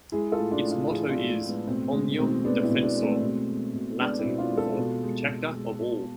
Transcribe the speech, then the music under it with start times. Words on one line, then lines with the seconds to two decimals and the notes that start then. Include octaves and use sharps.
Its motto is "Omnium Defensor", Latin for "Protector of All".
0.12 G#3 E4 G#4
0.32 F4 A4
0.38 A2
0.51 D4 F4
0.63 A2
0.70 D4 F4
0.90 F3 E4 G#4
1.09 D4 F4
1.16 G#3
1.29 A3
1.41 A2
1.47 G#3 B3
1.67 B2 A3 C4
1.92 G#3
2.19 B2 A3 C4
2.45 G#3 B3 D4
2.63 C4 E4
2.70 B2
2.83 B3 D4
2.96 G#3
3.02 A3 C4
3.21 B2
3.48 G#3
3.74 B2
3.99 G#3 B3 D4
4.19 C4 E4
4.25 B2
4.38 D4 F4
4.50 G#3
4.57 F4 A4
4.77 B2
5.03 G#3
5.28 B2
5.54 G#3
5.80 B2